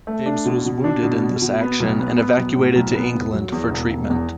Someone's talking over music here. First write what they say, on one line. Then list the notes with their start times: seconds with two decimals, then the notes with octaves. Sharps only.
James was wounded in this action and evacuated to England for treatment.
0.07 A3
0.26 D4
0.45 B2
0.65 B2
0.84 D4
1.03 B2
1.22 B2
1.42 B2
1.61 B3
1.80 B1
1.99 B3
2.18 B3
2.37 B1
2.56 A2
2.75 B1
2.95 B3
3.13 E1
3.33 F#3
3.52 E2
3.71 E1
3.91 E1
4.10 E2